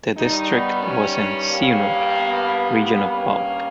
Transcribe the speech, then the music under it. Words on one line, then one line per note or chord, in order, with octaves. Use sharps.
The district was in Siunik, region of Balk.
G2 D#3 G3 D#4
B3
C#4
G2 G3 A#3
B3
G2 G3 A#3 B3
C#4